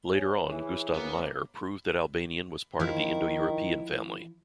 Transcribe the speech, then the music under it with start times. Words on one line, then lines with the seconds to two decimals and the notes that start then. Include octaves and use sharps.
Later on Gustav Meyer proved that Albanian was part of the Indo-European family.
0.12 C#5 G#5
0.49 E3 E4 G#4
0.94 A#3 B3
2.80 D#3 F3 E4